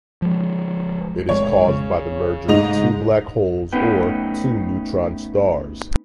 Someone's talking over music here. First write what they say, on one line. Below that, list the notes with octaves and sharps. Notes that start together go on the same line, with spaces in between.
It is caused by the merger of two black holes or two neutron stars.
F3 G#3
G#1 D#3 G#3 C#5
C#3
G#2 D#5 F7
A3 B3 C#4 D#4 B4 G5